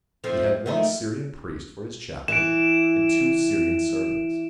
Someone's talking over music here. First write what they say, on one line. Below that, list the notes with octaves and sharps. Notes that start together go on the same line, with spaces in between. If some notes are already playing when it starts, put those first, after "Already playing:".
He had one Syrian priest for His chaplain, and two Syrian servants.
F3 A3 C4
D#3 A3 D#4
E3 D7 E7